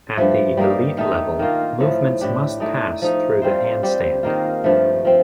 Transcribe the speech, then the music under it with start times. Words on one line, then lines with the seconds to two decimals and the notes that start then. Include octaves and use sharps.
At the Elite level, movements must pass through the handstand.
0.17 G2 F3 A3
0.57 G3 A#3 D#4 A#4
0.98 D#3 A3 D#4 A4
1.39 D#3 A#3 F4
1.80 A2 F3 A3
2.21 A2 A3 D4 G4
2.60 A3 D#4 A4 D5
3.02 F3 A3 D#4
3.42 G3 C4 F4 C5
3.83 G3 C4 G4 C5
4.23 D#3 A#3 F4
4.64 G2 F3 A3
5.05 F3 C4